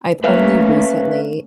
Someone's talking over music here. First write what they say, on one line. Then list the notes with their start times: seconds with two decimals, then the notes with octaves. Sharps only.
I've only recently
0.24 A3 A#3 C#4 B4 E5 F5